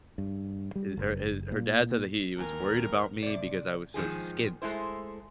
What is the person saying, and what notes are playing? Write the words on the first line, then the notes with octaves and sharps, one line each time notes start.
eh her his her dad said that he was worried about me because I was so skint.
G2
G3
F#1
A#2
D#2 A#4 G#5
C3 D5
G#2 D#3 F3 G#4
G#3 A3 E4 C5